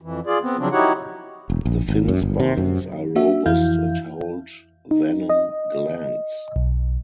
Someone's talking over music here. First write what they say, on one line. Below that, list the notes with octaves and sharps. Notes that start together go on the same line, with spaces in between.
The fin spines are robust and hold venom glands.
F2 E3
F4 G#4 D5
B3 C4
C#3 F3 F#3 C4 D4
D#4 E4 F#4 G4 C#5 F#5
E1
A#1
G#1
F#2
G1
C3
F#2
A#3 D4 F#4 E5
F2 E3 E4 F5 G6
D#4
D#5
B1